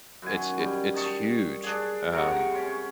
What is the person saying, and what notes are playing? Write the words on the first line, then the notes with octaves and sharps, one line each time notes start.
it's it it's huge, um.
F#2 D#3 G#5
G3
D#5 A5 C#6
D4 G#4
C3 A#4 F#5 C#6
C#4 C6